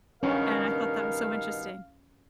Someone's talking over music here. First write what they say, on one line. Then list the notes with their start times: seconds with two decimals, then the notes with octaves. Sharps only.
and I thought that was so interesting.
0.23 G2 B2 D#3 C#4 A#4 F5